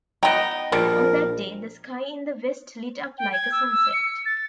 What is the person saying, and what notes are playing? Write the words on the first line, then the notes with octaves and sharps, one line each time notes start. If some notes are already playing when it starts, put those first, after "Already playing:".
On that day, the sky in the west lit up like a sunset.
B3 D#4 D#5 G5
A#1 B2 G3 A#4
G5
G#6
E6
E6
C#7
A6